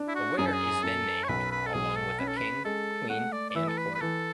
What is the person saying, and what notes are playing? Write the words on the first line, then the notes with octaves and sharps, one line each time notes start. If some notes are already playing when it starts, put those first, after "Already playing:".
A winner is then named, along with a king, queen, and court.
Already playing: D4
E4
F#4
F#2 G#4
A4
G#4
F#2 A4
C#5
B1 B4
B4
A4
B1 G#4
A4
C#4 B4
A4
B4
G#3 A4
A3 F#5
D5
D5
E3 E5
A4
B4
B4
E3 A4